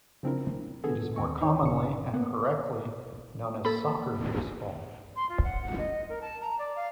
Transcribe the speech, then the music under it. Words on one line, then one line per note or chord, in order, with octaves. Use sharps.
It is more commonly, and correctly, known as soccer baseball.
C#3 F3 C4 D4 E4 A#4
D3 B3 G#4 A4 G#6
D#2 C4 G#5 C#6
D#4 C#5
G1 C#3 C#7
A#3 B3 F#5
A#3 A4 B5
C6
F4
F#5
F#5
D#5
A#4
A5
A#5
D5
F5